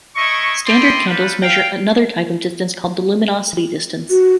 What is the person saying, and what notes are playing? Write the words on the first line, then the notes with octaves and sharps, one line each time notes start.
Standard candles measure another type of distance called the luminosity distance.
A3 E4 D#5 C#6
E4 G4 D5 D#5 G5 C6
F4 G4 A4 B4
F5 G5
F#4